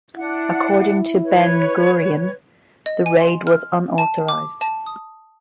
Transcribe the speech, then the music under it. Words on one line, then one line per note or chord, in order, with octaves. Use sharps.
According to Ben-Gurion, the raid was unauthorised.
D4 E4 F#5
B4 C#5
D#5
G#5
C6
F6
A5
D6
A5
D#6